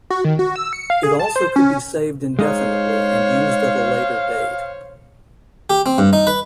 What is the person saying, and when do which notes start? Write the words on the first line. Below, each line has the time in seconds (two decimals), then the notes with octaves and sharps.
It also could be saved indefinitely and used at a later date.
0.10 F#4
0.24 D#3
0.39 F#4
0.56 E6
0.73 C#7
0.90 F5
1.03 G#4
1.19 A5
1.36 C5
1.56 C#4
2.39 G#3 D#4 C5 C#5 F5
5.70 G4
5.86 C4
5.98 G2
6.13 D#4
6.27 B4